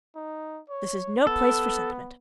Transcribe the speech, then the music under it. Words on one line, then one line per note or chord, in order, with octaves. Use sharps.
This is no place for sentiment.
D#4
C#5
B3 A4